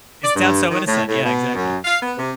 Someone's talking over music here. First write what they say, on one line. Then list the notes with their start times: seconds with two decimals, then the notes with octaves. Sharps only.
It sounds so innocent. Yeah, exactly.
0.23 D5
0.36 G2
0.70 D#3
0.86 A2
1.08 A2
1.23 B2
1.55 F#2
1.85 F5
2.02 B3
2.18 C3